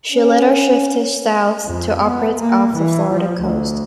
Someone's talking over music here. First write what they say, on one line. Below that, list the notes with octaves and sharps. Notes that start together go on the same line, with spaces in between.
She later shifted south to operate off the Florida coast.
C#4
F2
B3
A#3
E3
F3
D2